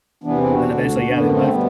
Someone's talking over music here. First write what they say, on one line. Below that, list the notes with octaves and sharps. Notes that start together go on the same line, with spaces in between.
and then eventually, yeah, they left.
E2 C3 E3 B3 D4
C4 E4
D4 F#4
D2 D3
F#2 D3 B3 D4
A3 C4
B2 G3 B3